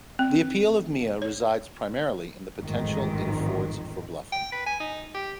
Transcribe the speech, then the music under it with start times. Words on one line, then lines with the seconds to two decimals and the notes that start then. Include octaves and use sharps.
The appeal of Mia resides primarily in the potential it affords for bluffing.
0.19 C4
1.22 C#5
2.58 A1 F2 G#2 D#3
4.32 G5
4.53 B4
4.66 G#5
4.80 D#4
5.15 G4